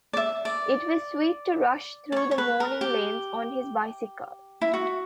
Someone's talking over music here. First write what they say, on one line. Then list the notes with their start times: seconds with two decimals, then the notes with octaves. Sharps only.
It was sweet to rush through the morning lanes on his bicycle.
0.13 D5
0.17 E5
0.45 D5
2.12 D5
2.16 C#5
2.31 C#5
2.38 B4
2.60 A#4
2.81 G4
4.62 E4
4.74 F#4